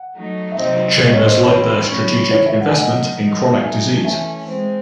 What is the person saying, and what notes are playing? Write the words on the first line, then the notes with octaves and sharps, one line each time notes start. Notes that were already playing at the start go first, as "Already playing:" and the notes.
Chambers led their "Strategic Investment in Chronic Disease".
Already playing: F#5
F#3 A3 D#4
E5
C3 F#3 C4 D#4 C5 D#5
A2 G#3 C#4 D#5
C#5
C5 D#5
E3 C4 E4 C#5
C#3 F#3 A3 C#4 E4
C#3 E3 A3 C#5
C#5 E5
F#5
G#5
F#3 A3 D#4 D#5 F#5
E3 G#3 D#4
F#3 A3 D#4 E5 G#5
A5
E3 A3 C#4 E5 G#5
G#3 C4